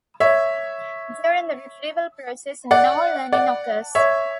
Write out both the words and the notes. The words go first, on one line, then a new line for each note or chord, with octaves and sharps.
During the retrieval process, no learning occurs.
C#5 E5
D5 F#5
D5 F#5
C#5 E5